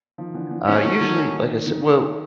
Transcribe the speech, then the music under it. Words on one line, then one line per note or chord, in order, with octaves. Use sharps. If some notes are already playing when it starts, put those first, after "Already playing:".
Uh, usually, like I sai well,
D#3 F3
D3 E3
D3 E3
D#3 F#3 A3 C#4
D#3
D#3
D#3